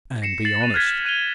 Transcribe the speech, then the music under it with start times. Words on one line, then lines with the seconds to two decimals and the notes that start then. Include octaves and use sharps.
Man, be honest.
0.22 A#6 C7 C#7 E7
0.45 A6 C7 F#7
0.61 F#6 C#7 D#7 F7
0.74 F6 F#6 G#6 B6 C7
0.87 E7
1.05 F#6 D#7 F7 G7